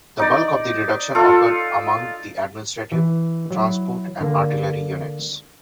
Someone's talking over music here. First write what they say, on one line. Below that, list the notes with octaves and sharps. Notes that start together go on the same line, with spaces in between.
The bulk of the reduction occurred among the administrative, transport and artillery units.
D#4 D5
F4 A4
E3
F#3 E4
D3 A#3